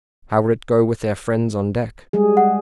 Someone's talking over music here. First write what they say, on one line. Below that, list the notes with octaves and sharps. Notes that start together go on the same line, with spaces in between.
How would it go with their friends on deck?
G3 G#3 G#4
F#5